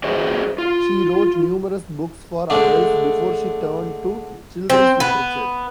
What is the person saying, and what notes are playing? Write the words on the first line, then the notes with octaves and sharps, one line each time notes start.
She wrote numerous books for adults before she turned to children's literature.
F#4 G#4 B4 C5 D#5 E5
F4
D3 G#3 A3 D4
C4
B3